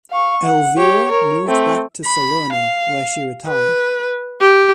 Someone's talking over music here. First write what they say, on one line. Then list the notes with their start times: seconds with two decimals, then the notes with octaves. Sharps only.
Elvira moved back to Salerno where she retired.
0.11 F5 C#6
0.43 F#5
0.77 G4 C#5
1.12 A#4 C#5
1.47 A3 C4
2.05 B5
2.53 F5
3.47 B4
4.41 G4